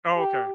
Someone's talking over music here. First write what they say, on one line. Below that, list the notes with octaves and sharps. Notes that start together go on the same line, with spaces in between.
Oh, okay.
G4